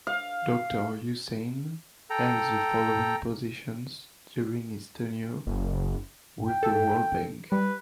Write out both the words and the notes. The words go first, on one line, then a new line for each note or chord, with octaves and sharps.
Doctor Husain held the following positions during his tenure with the World Bank.
F5
A4 G5 A#5
F#1
G5
A4
G3 B4